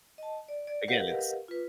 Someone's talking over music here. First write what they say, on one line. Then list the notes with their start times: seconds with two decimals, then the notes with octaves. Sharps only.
again, it's
0.18 D#5 A5
0.49 D5
0.67 D5
0.88 G4 A#4 B4 D#5 F5 F#5
1.48 F4 B4